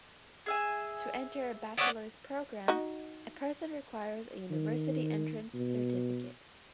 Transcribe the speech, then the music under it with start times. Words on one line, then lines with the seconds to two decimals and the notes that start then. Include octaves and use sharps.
To enter a Bachelor's program, a person requires a University entrance certificate.
0.46 G#4 E5 G#5
1.78 B3 C#5 D5 E5 F#5
2.68 D#4 F#4 D#5
4.51 D#3
5.54 B2